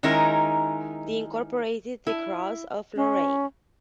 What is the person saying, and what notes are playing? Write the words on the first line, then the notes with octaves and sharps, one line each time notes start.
The incorporated the Cross of Lorraine.
D#3 G#3 C#4 D#4 E4 A#4
E4
C#4